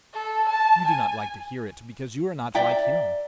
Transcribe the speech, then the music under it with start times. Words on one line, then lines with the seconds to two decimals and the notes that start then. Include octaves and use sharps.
You do not like to hear it because you are not like him.
0.13 A4
0.49 A5
0.87 G#5
2.55 D5 E5 G5 A#5